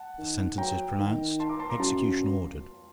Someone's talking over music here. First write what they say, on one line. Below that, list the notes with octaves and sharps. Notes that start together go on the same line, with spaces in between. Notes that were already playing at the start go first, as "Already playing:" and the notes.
The sentence is pronounced--execution ordered.
Already playing: F#5 A5
D#3
F#3 G5 A#5
D#3
A5 C6
A#5 D6
A5 C6
A#5 D6
F#2 A5 C6